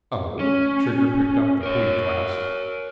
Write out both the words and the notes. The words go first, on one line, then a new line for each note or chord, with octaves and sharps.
"Oh?" Trigger picked up the Puya glass.
C#4
A#4 C#5